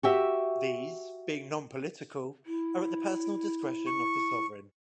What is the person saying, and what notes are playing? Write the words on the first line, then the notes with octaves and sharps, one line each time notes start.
These, being non-political, are at the personal discretion of the Sovereign.
F#4 G4 E5
E4
C#6